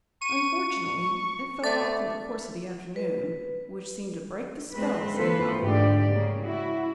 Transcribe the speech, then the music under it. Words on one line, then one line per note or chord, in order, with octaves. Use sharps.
Unfortunately it fell off in the course of the afternoon, which seemed to break the spell somehow.
C#6 D#7
A3 D5
B4
G#3 C4 B4
E3 A#3 F4 A4 B4 C5
G#2 D3 A3 G4 D5
C#3 A#3
E4 F#4